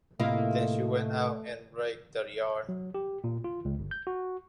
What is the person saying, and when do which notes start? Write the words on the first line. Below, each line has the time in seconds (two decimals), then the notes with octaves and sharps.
Then she went out and raked the yard.
0.20 A2 C3 A3 A#3 E4 F4 D#5
2.69 F#3
2.95 G4
3.24 A#2
3.44 F4
3.65 C#2
3.79 G1
3.91 G6
4.07 F#4